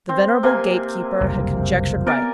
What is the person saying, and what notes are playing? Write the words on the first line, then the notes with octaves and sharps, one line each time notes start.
The venerable gate-keeper had conjectured right.
C4
C3 A#3 G#5
F#1 C2 F2
B3 A#4 D5 G#5